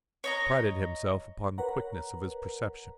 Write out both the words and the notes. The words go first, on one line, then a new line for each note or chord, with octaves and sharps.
He prided himself upon the quickness of his perception.
C#5 D#5 A#5
A#4 B4 C#5 F#5 A#5